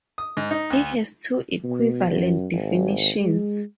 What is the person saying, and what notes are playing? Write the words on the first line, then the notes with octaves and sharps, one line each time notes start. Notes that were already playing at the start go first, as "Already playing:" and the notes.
It has two equivalent definitions.
D#6
G#2
D#4
D2
B2
F#2
G#1
G#3